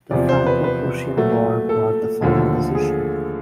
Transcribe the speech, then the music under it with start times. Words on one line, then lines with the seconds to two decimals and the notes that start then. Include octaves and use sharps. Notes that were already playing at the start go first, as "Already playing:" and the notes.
The Franco-Prussian War brought the final decision.
0.11 E2 C3 F3 D5
0.29 C5
0.47 B4
0.64 B4
1.17 A#2 F#3 A3
1.69 A4
2.22 D#2 D3 F3 A3
2.75 G#4